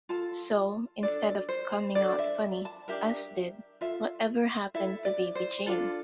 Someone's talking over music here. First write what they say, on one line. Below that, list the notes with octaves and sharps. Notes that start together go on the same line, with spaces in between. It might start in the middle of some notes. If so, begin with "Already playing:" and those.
So, instead of coming out funny, as did Whatever Happened to Baby Jane?
F4 A4 A5
D4 A4 D5
C5
D4 A4 D5
E5
A5
D4 G4 A#4 E5
F4 A4 E5
E4 A4 E5
D5
C5
D4 F4 A4